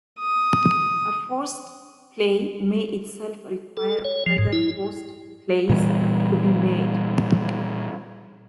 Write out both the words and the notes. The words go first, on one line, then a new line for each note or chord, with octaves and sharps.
A forced play may itself require further forced plays to be made.
D#6
A4
C#5
F3
G#2
E4
A#2 E3 G3